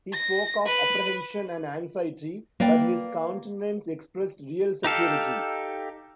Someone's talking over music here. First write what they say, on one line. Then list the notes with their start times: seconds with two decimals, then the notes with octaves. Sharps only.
He spoke of apprehension and anxiety, but his countenance expressed real security.
0.13 A#6
0.66 B4
2.60 A#3 B4 D5 G5
4.84 D#4 G4 A4 F5